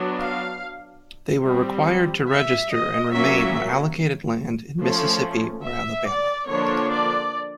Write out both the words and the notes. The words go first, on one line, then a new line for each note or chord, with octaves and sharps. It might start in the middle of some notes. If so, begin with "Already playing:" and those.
They were required to register and remain on allocated land in Mississippi or Alabama.
Already playing: F#3 B3 D4
F5
G3 C4
E5
D#5
F#3 A#3 C#4 E5
F3 A3 C#4
E5
D5
D3 F3 A#3 D4 C#5
D5